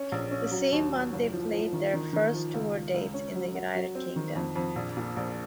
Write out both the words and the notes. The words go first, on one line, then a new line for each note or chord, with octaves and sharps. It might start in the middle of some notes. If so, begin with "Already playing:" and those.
The same month they played their first tour dates in the United Kingdom.
Already playing: C#4
A#1
C#4
F#3
D#2
F#3
F#1
F3
F3
D#3
D#3
D#3
F3
C#2
C#2
C#2
C#4
F#3
F#4
F#3
C4
D#3
F2
F2
A#1
A#2
A#1